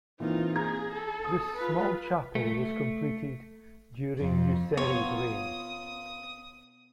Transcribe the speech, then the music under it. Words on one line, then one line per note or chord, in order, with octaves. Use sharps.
This small chapel was completed during Nyuserre's reign.
E3 A#3 C4 D#4 F4
G#4 A#5 G#6
A4
D#6
F4 B4
A3
F2
A#3 B3 F4 C#5 D#6